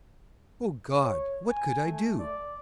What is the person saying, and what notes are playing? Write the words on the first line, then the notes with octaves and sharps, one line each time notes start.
Oh God! what could I do?
C#5
G#5
A3
D5